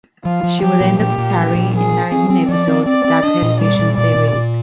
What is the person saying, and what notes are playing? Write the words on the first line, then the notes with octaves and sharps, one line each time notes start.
She would end up starring in nineteen episodes of that television series.
F3 F4
F3
F3 G4
A#2
A#2 G4
A#2
F3
A#2
F3 G#4
F3
C4 G#4
C4
F3 D5
C4
C4 D5
C4
D4 D#5
A#2
G3 D5
A#2
A#2 D5
A#2
A#2